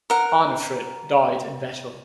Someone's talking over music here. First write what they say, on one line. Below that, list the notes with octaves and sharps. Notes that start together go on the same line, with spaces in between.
Arnefrit died in battle.
A#4 F#5